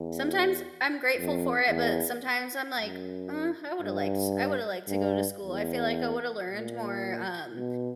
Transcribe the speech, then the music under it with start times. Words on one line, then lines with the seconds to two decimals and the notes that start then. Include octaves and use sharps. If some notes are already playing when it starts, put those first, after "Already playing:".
sometimes I'm grateful for it, but sometimes I'm, like, "Uh, I woulda liked I woulda liked to go to school." I feel like I woulda learned more, um,
Already playing: E2
1.17 F2
1.69 E2
2.76 F#2
3.82 G2
4.88 G2
5.42 E2
6.48 A#2
7.55 B2